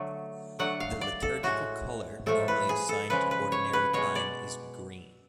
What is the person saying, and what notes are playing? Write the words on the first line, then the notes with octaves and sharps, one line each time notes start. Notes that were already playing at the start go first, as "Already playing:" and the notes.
The liturgical color normally assigned to Ordinary Time is green.
Already playing: D3 F#3 A3
D3 F#3 A3 F#5
F5
D5
A4
A2 G#3 F#4
A2 F3 A3 A4
B4
G#4
A4
C#3 F3 G#3 B4
B4
C#5
B4
B2 G#3 C#5
D5